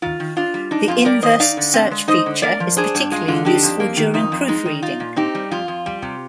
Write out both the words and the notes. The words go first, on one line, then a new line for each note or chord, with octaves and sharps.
The inverse search feature is particularly useful during proofreading.
D#3 F4
D#3
D4 F4
G3
D4 D#4
F2 F4
G3 A#4 D5
D#3 C5 D#5
D#4 D5 F5
D3
C4
G#3
D#4 C5 D#5
D3
A#3 A#4 D5
F3
D4 G#4 C5
G2
G#3 F4
D3 F4
D4 D#4 G4
F2
A#3
D#3
F2 D#4
F2
G#3 D#4
D#3
D#4 F4
A#2
C4 D#4 G4
G3
F2 F4
F2
G3
C3